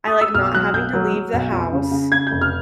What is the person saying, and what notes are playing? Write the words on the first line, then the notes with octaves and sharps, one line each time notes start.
I like not having to leave the house,
D#6
E6
B1 F6
F#3 F#6
B1 G6
F#3
F#3
B1
F2
C#3
C#3
C#3 G#6
F1 G6
F6